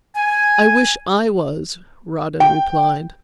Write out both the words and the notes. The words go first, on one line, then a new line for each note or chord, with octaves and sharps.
"I wish I was," Rawdon replied.
G#5
G5